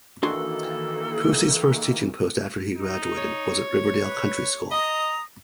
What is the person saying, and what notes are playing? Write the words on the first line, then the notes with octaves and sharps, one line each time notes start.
Pusey's first teaching post after he graduated was at Riverdale Country School.
D#3 E3 A#3 D4 F#4 A4 C6
D#4
C#5
B4
D#5 A#5 D#6